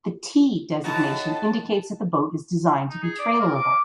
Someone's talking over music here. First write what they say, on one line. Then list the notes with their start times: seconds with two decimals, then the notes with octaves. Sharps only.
The "T" designation indicates that the boat is designed to be trailerable.
0.84 A2 D#4 F#4 A5
2.90 D#4
3.03 G#4
3.19 D5
3.40 A#4
3.54 D6